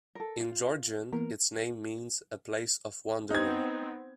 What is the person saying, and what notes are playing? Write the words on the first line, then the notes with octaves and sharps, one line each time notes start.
In Georgian, its name means "a place of wandering".
A4 A#4
F4
E3 A#3 B3 A#4
B3 C4 D#4 G#6